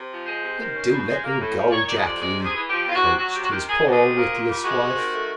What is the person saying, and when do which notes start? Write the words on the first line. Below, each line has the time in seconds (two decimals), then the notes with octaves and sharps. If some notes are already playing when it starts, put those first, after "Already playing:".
"But do let her go, Jacky," coaxed his poor witless wife.
Already playing: C3
0.10 F3
0.26 G#3 C5
0.42 C3
0.59 D#3
0.75 C#4
0.91 B2
1.08 G#3
1.24 A#3
1.40 A2
1.56 F3
1.68 D5
1.72 D#3 C#5
1.88 F2 D5
1.97 D#5
2.05 C3 D5
2.21 G#3 D5
2.37 C3
2.46 G#4
2.54 E3
2.70 F3 G4
2.86 E2 F4
2.95 F#4
3.02 C3
3.19 F#3 F#4
3.35 C3 G4
3.43 F#4
3.51 D#3 G4
3.67 D#3 G#4
3.84 D2
3.92 G#4
4.00 C3
4.16 A#3
4.32 A#2
4.48 G3
4.65 G#3 F#4
4.81 C3
4.97 D#3
5.14 A3